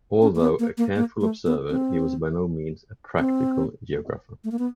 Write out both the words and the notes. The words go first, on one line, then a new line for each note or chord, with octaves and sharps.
Although a careful observer, he was by no means a practical geographer.
C#4
A#3
B3
A#3
A#3
A#3
A3
B3
C4
C4
A3
A#3
B3